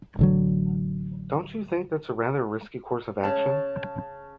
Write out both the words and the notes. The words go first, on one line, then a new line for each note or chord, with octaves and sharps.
Don't you think that's a rather risky course of action?
A1 D3 F#3
C#3 A5